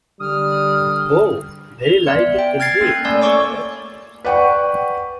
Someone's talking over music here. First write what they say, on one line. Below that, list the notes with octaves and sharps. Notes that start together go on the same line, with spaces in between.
Oh, very like it indeed, my dear!
D3 G3 D#6 F6
B3 D5 E5
G5
F6 G#6 A6 C7
A#3 C#4 A4
A3 A#3 D5 G#5
C#5 D5 C#6 D6 E6
B4 D5 F#5 G5 C#6